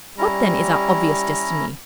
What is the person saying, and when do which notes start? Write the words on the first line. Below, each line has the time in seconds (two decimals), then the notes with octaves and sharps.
What then is our obvious destiny?
0.18 G3 C#4 E4 A#5